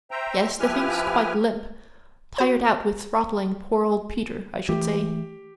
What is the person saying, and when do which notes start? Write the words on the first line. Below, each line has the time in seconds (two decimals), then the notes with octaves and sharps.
"Yes, the thing's quite limp; tired out with throttling poor old Peter, I should say."
0.11 C5 E5 G5 A#5
0.60 F3 E4 G4 B4 G#5 F6
2.38 F#4 C5
4.69 E3 A3 G4